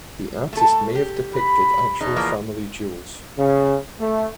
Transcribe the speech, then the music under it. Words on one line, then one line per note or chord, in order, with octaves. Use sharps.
The artist may have depicted actual family jewels.
A3 A4
G4
B5
E2 B2 D#4 A#5
E3 F3 A#3
C#3
A3